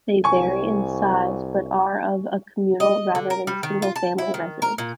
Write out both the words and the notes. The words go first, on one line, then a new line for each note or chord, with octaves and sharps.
They vary in size but are of a communal rather than single-family residence.
C2 G#5 C#6
D#5
D3
A#4
G3
D#3
F4
A5
E4
D#3
A#4
A#2